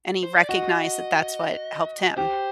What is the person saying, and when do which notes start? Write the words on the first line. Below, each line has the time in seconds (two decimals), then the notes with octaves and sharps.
and he recognized that that's what helped him.
0.23 C5
0.35 D5
0.49 F#4 D#5
2.17 G4 C5